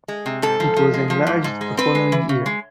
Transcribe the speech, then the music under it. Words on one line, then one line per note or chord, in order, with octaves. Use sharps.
It was enlarged the following year.
G#3
C3
G#2 A4
F3
F3
G#3
F3
G#2
G#2
G#3
C4 B4
G#3
E3
C#3
G#3